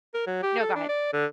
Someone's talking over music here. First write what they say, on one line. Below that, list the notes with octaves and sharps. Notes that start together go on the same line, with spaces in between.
No, go ahead.
A#4
F#3
G4
A4
D4
D5
D3